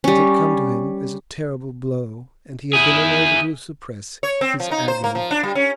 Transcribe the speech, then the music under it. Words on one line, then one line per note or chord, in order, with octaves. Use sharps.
It had come to him as a terrible blow, and he had been unable to suppress his agony.
G3 C#4
E4 G#4
C#5
C4
F3
D#4
C5
A#3
F3
D4
G3
C#4